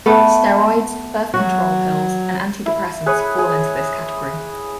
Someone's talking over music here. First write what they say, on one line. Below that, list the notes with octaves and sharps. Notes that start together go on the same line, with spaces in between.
Steroids, birth control pills, and antidepressants fall into this category.
A3 B3
F#3 F#4
E4
G#4 B4 C#5
G#4